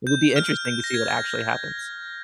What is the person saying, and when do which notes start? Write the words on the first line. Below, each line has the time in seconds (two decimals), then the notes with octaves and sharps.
it would be interesting to see what actually happens.
0.07 G6
0.36 F6
0.65 G6
0.84 A#6
0.94 G#6